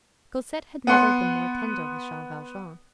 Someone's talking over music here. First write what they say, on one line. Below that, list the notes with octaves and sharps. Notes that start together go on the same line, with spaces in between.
Cosette had never been more tender with Jean Valjean.
B3 F#5 C6